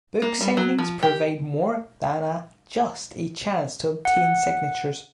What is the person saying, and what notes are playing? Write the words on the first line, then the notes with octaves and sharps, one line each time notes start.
Book signings provide more than a just a chance to obtain signatures.
A#3
G3
F#3
F3
G4
F#5